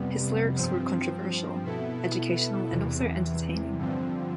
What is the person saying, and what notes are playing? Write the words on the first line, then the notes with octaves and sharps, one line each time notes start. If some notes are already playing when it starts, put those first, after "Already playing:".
His lyrics were controversial, educational and also entertaining.
Already playing: F2 C3 G3 B3
G2 F3 C4
B2 B3 E4 A4
E2 C3 E3
G2 D3 F3 C4